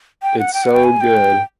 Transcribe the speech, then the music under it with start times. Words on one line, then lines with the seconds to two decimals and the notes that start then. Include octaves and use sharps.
it's so good.
0.23 G5
0.39 F#5
0.54 G5
0.64 F#5
0.74 G5
0.84 G#5
1.01 G5